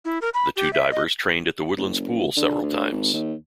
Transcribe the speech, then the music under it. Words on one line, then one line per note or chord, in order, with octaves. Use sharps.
The two divers trained at the Woodland's Pool several times.
E4
A#4
B5
G4
E5
D#5
F#1
D3
D2
G#1
D#2